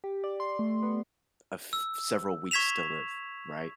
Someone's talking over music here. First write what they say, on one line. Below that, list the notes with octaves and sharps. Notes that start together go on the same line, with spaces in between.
a th several weeks still live, right?
G4
D5
C6
A3
B3
E6
C#6 G#6 B6 E7 F7